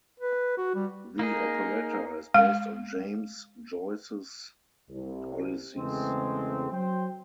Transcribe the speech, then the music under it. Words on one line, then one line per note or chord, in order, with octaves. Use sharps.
The operetta is based on James Joyce's "Ulysses".
B4
F#4
G3
A#3 D#4 G#4 A#4
G#3 F5
C2
E2 C#3 G#3 A3 C4
F#3 C5 G5